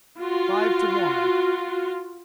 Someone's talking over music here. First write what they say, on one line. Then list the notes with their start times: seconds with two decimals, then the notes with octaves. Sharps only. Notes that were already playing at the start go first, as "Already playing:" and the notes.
Five to one!
0.19 F4 F#4